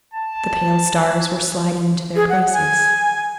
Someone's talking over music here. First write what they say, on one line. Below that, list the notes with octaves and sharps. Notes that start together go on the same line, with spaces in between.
The pale stars were sliding into their places.
A5
G#4
F#5
G#5